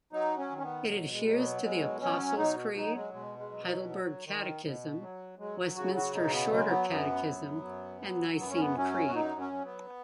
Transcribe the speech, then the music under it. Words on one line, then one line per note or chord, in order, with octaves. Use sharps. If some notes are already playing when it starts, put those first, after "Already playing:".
It adheres to the Apostles Creed, Heidelberg Catechism, Westminster Shorter Catechism and Nicene Creed.
F#3 D#4
C#4
D#3
C#4
B3
B2 F#3
G#3
F#3
B3
B2 G#3
F#3 C#4
B2 D#4
F#3 D#4
G#3
B2 G#3
G#3
F#3
F#3
F#3
D#3
B2
F#3
F#3 G#3
C#3 F#4
F#4
B2 D#4
B3
F#3 G#3
B3
F#2 B3
F#3
F#2
F#3
F#2 B3
C#4
B3
F#3 C#4
F#4
F#2 D#4
C#4
F#3
B3